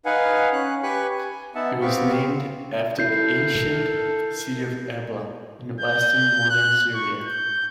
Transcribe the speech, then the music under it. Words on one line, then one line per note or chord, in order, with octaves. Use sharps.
It was named after the ancient city of Ebla, in western modern Syria.
D#4 B4 F5 F#5 G#5
C#4 F#6
G4 B4 G#5 B5 C#6 F#6
G#5
B3 D#4 E5 F#5 A5
B3 C4 G4 F5 B5 C#6
E4 A4 A#4 G6 C7
G6
F#6
C#6
G6